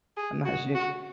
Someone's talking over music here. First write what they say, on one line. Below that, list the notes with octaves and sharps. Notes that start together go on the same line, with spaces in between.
I'm not sure
G#4
F#4
F#4